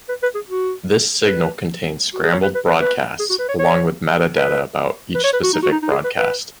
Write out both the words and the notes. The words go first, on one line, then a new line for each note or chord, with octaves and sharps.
This signal contains scrambled broadcasts, along with meta data about each specific broadcast.
B4
B4
G#4
F#4
B4
F#4
G#4
C#5
B4
B4
B4
B4
G#4
F#4
B4
C#5
C#5
B4
B4
C#5
B4
F#4
D#4
F#4
D#4
D#4
G#4
B4
B4